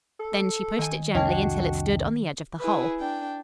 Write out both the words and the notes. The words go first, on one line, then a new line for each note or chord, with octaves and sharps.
Then she pushed it gently until it stood on the edge of the hole.
A4
D#3 G#5
C2 F2 C#4 D4 D#5 G5 A5
F#4
E4 G#4 B4
D4 G5